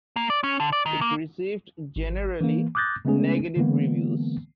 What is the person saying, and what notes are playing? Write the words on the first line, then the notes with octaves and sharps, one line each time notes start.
It received generally negative reviews.
A#3
D5
C#4
D3
D5
D#3
A#3
G#1
E3 A#3
D6 D#6 F#6 G6 A6 A#6
C#3 G#3 A3 B3 C#4 G#4
D3 E3 G#3 A#3 B3